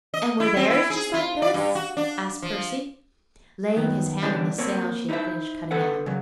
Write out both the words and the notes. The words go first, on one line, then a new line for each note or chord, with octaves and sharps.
"And were theirs just like this?" asked Percy, laying his hand on the sail she had finished cutting out.
D#5
E4
C4
E4
G#4
F4
D5
G2
F#4
D4
F3
F#2 D#3 B3
D3 E3 G3 C#4 D4
A#3 C4 C#5
D#4 E4 B4 C5 E5
D3 A4 B4 F#5
C#3 F#3